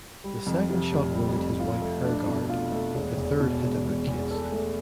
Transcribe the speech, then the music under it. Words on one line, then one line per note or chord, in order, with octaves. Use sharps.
The second shot wounded his wife Hergard; the third hit a bookcase.
G3
F2
C3
F1
G3
F2
F4
A3
D4
B2
F4
A3
E1
E2
B2
E1
E1
E2
A4
A3